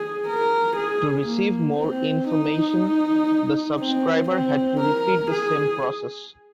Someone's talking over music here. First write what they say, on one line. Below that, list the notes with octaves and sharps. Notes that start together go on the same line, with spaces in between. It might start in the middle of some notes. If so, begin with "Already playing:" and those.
To receive more information the subscriber had to repeat the same process.
Already playing: G#4
A#4
G#4
A#3
C4
D#4
C4
C4
A#4
G#4